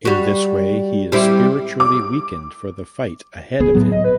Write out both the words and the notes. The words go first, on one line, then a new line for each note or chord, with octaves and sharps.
In this way he is spiritually weakened for the fight ahead of him.
G3 F#4
G3 C4 E4
D6
D1 C#2 B3 G#4
A2 F#3 B3
D#5
B4